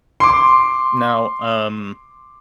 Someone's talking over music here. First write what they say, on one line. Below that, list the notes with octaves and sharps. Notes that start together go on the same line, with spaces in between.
Now, um,
C6 D6